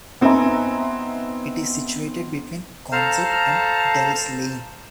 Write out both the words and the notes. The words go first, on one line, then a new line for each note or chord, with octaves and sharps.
It is situated between Consett and Delves Lane.
B3 C4 D#4 E5 G#5 A#5
A4 C5 F5 A5 A#5 F6